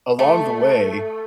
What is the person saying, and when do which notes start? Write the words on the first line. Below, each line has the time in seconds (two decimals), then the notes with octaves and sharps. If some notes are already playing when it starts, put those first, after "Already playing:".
along the way,
0.19 A3